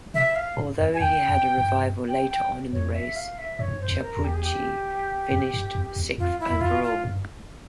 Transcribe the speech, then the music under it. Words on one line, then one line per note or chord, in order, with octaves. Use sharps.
Although he had a revival later on in the race, Chiappucci finished sixth overall.
C3 E5
F5
G#2
F2
G#5
E2 G5
F2
G2
G5
G5
F2 C#5
E5
F5
E5
G2 C#5
G#2
G2
C5
F2
A#4
E2
G4
G#4
G4
F2
G2
F2
E2
F2 F4
E4
E2
F2 F4
F4
G2